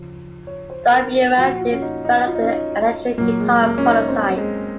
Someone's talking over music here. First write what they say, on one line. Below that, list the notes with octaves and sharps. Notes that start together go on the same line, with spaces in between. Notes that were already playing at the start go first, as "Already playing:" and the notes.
Dopyera developed an electric guitar prototype.
Already playing: C#3 F3
C#5
C5
A#4
A#4
A#2 F3 F#4
F4
C#4
D#4
D#4
F4
D#4
C#4
D#4
A#2 F#3 A#3
G#3
A#3
C#4
D#4
C4
G#3